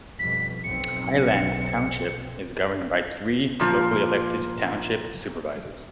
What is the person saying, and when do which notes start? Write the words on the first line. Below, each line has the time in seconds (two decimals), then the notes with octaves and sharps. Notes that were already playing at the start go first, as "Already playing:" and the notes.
Highland Township is governed by three locally elected, Township Supervisors.
0.19 F2 B2 G3 B6
0.64 B1 C4 C#7
1.15 C#7
3.60 A#2 F3